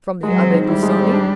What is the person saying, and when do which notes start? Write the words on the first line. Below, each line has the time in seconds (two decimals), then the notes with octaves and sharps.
"From the Abbe Busoni?"
0.23 F#3 G#3
0.39 C4
0.53 D#3
0.68 G3 E4
0.83 G#3
0.99 C4
1.14 D4